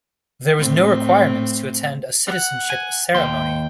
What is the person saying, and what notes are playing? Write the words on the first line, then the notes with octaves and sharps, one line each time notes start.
There was no requirement to attend a citizenship ceremony.
A2 C4
F#5
G#5
D#2 G5 C6